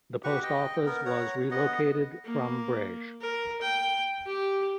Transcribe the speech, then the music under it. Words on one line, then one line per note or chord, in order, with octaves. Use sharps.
The post office was relocated from Breage.
F#4 G4 B4 C#6
D#5 G5
B3 A#4
C#5 F#5 A#5
B3 D#5 F#5
A#3
A#4
G5
G4